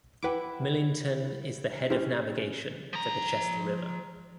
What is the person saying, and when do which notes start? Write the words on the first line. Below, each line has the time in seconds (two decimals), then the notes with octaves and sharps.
Millington is the head of navigation for the Chester River.
0.23 E4 B4 F#5 G5 D6
1.90 C#4 E4 G4 C5
2.93 F3 A#5